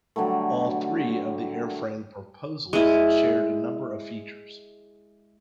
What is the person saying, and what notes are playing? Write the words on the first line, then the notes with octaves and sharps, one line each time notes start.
All three of the airframe proposals shared a number of features.
D3 F#3 G3 A3
G#3 E4